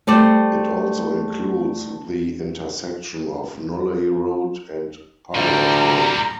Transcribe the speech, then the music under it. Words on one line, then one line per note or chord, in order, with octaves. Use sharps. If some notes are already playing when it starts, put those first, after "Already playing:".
It also includes the intersection of Nolley Road and Pilot Road.
G3 A3 C5 D5
D2 A2 G3 A#5